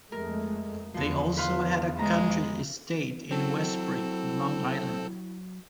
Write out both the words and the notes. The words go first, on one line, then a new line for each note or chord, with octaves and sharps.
They also had a country estate in Westbury, Long Island.
F2 G#3 A3 A#4
E2 D3 F3
B4 F5 C6
G#3 A#5
F#3 C4 E4 A4